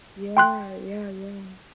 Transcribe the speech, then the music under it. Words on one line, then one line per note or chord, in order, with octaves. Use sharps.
Yeah, yeah, yeah.
G5 C6 F#6